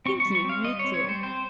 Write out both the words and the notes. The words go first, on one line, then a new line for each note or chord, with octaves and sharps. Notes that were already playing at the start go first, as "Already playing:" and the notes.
Thank you, and you too.
C4 C#6
C#6
G3
C#6
C4 F5
G3 D#5
C#5
C4
C#5
G3 C5
C4 C5